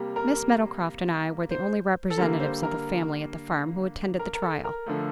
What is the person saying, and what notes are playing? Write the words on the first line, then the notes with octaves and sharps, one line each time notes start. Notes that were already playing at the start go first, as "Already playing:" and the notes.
MISS MEADOWCROFT and I were the only representatives of the family at the farm who attended the trial.
Already playing: C3 G3 A#3
A#4
C5
A4
D3 G3 A#3 A#4
C5
A#4
A#4
A#4
A4
A#4
D3 F3 A3